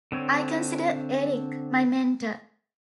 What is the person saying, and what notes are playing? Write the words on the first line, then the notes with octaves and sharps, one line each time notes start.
I consider Eric my mentor.
D3 C4 C#5